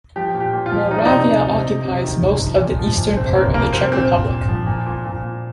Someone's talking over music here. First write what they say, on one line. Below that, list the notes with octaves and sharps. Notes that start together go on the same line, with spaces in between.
Moravia occupies most of the eastern part of the Czech Republic.
F3 G4
A#2
G4
A#2
F4
F3
F3 D#4
D4
C3 D#4
C3
C3
C3
C3
D#3
C3
F3
A#2
F3
A#2
C3 C4
C3 A#3
F3 A#3
C3 C4
A#2 C4
A#2
A#2
F3
A#2
A#2
A#2
A#2